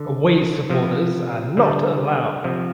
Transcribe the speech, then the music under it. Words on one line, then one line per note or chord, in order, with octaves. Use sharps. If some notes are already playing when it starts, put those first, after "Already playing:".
Away supporters are not allowed.
Already playing: D3
C3 F3
D3 G3
C3 F3